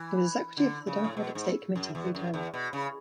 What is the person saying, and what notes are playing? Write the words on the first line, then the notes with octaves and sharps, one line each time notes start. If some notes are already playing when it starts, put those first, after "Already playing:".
He was the secretary of the Democratic State committee three times.
Already playing: E3
D3
C#3
A2
B2
G#2
F#2
E2
F#2
E2
B2
C#3